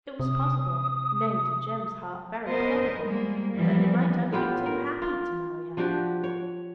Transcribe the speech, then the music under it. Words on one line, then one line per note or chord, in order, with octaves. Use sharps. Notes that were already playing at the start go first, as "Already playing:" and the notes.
It was possible, nay, to Jem's heart, very probable, that he might only be too happy to marry her.
C3 D#6
B3 A#4 C5 D#5
G3 G#3 A#3
E3 F3 G3 A#3 B3
A2 B3 F4 G4
A#4
F4
F3 D4 F#4 G4
C#5